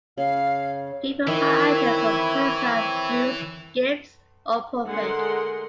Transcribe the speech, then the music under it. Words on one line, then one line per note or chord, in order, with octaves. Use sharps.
People buy items for personal use, gifts, or profit.
C#3 F5
D#3 E3 C4 E4 C#5 E5
D3 G#3 A#4 F#5 C6